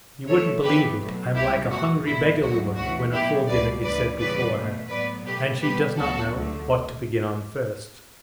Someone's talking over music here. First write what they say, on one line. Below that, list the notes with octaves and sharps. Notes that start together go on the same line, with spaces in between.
You wouldn't believe it, I'm like a hungry beggar woman when a full dinner is set before her, and she does not know what to begin on first.
F#2 E3 A3 A4 C#5
F#2 E3 B3 G4 B4
B2 F#3 A3
C#2 C#3 G3 B3 E4 G4
E2 B2 A3 F#4
A2 G3 B3 E4
D2 D3 F#3 F#4
D2 C#3 E3 F#4
B2 F#3 B3 E4 G4
C#2 B2 G3 B4 D5
D2 C#3 E3 B4 D5
E2 C#3 G3 B3 B4 D5
B2 A3
A2 F#3 B3 B4 D5
B2 A3 G4 B4
B2 G3 B3 G4 B4
D2 C#3 F#3 B3 F#4 A4
D2 D3 A3